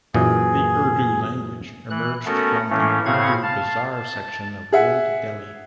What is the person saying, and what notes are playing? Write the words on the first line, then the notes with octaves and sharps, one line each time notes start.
The Urdu language emerged from the Urdu Bazaar section of Old Delhi.
F#2 A#2 E3 G#4
E3 F#6
A3 B3 C#4 F#4 A4 A#4
A2 E3 A3 A#3 C#4
A2 C#3 C4 F5 F#5 G#6
F5 A5
A5
G#4 E5 F#5